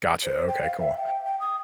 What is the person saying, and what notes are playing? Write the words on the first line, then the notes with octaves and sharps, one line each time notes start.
Gotcha, okay, cool.
C5
G5
F5
E5
G5
G5
D#6